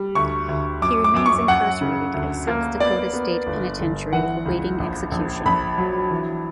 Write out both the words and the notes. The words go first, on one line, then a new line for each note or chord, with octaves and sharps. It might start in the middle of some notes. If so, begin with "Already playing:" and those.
He remains incarcerated at South Dakota State Penitentiary awaiting execution.
Already playing: G3
D2 C#6
D2
F#2 D6
D6
F#2 D6
C#6
F#2 F#5
C#3
D2
A#3
B3 D5
B3
G1
G1
E3 F#5
C#2
A#1
A#1
A#1 B5
F#3
E3